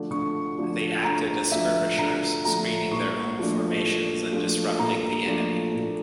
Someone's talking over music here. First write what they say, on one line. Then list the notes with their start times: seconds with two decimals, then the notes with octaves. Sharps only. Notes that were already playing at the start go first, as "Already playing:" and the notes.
They acted as skirmishers, screening their own formations and disrupting the enemy.
Already playing: D3 F3 A3 D4
0.11 D3 C#6
0.58 F3 A3 D4
1.04 D3 A#5
1.51 F3 A3 D4 E5
1.98 D3 A#5
2.44 F3 A3 D4 A#5
2.91 A#2 C#6
3.38 F3 A3 D4
3.85 A#2
4.32 F3 A3 D4
4.79 A#2 A#5
5.26 F3 A3 D4
5.73 A#2